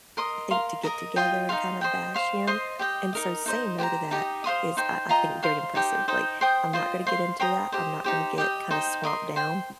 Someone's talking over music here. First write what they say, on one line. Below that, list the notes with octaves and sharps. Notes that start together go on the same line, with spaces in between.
think, to get together and kind of bash him, and so saying no to that is, I I think very impressive, like, "I'm not gonna get into that, I'm not gonna get kinda swamped down
A#4 D#5 C6 D#6
A#4 F5 C6
A#4 D#5 A#5
F4 D#5 G5
D#4 A#4 F5 C6
C5 D#5 G5
C5 F5 C6
C5 D#5 C6
G4 D#5 G5
D#4 A#4 D#5
D#4 C5 D#5
G4 C5 G5 A#5
D#4 G4 D#5
C5 F5 C6 D#6
D#4 C5 G5
F4 D#5 G5 A#5
C5 F5 C6
D#4 G4 C5 G5
D#4 C5 D#5 G5
C5 G5 D#6
F4 C5 D#5
C5 F5 C6
C5 G5 A#5 D#6
G4 C5 D#5
D#4 G4 C5
G4 D#5 G5
D#4 C5 D#5 G5
A#4 D#5 C6
C5 G5 C6